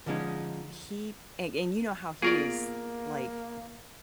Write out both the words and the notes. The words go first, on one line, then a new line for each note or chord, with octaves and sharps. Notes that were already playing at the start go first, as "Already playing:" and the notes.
he and and you know how he is, like,
D3 F3 G#3 C#4 D#4
A#3 B3 F4 G#4 A#4 D5 C#6